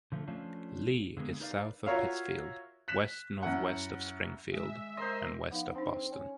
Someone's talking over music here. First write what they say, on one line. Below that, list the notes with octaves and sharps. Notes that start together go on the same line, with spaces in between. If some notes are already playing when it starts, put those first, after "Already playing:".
Lee is south of Pittsfield, west-northwest of Springfield, and west of Boston.
D3 F3 A3
F3 A3 C#4 D4 F4
D3 G#3 A#3 B3
D#4 A#4 B4 D5 D#5 F5
F4 F#4 A#4 C#5 E5 F5
F#6 B6 E7
F#2 E4 F#5
G#3 E5
A#4 C5 D#5 C6
F3 B3 D#4 F5
C4 D4 D#4
C#4